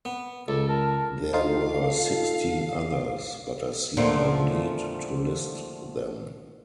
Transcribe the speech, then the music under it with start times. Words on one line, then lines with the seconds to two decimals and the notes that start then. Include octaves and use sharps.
There were sixteen others, but I see no need to list them.
0.05 B3
0.48 C#2 A4
0.69 A#4 A5
1.34 D#4 F4 A4 F5
3.97 A#2 D3 F3 A3